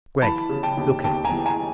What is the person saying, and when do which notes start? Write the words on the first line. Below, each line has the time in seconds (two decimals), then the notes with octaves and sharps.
"Gregg, look at me!"
0.22 E3 A5 B5
0.49 C#3
0.63 G5 A5
0.77 D#2
1.04 D#2 G5 A5
1.25 G#5 A#5
1.31 E3
1.46 G#5 A#5